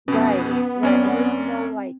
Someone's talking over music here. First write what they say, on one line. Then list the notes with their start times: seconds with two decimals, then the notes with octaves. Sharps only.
Right, right, and there's no like
0.08 F2 B2 B3 C#4
0.83 F#2 C4 C#4 D5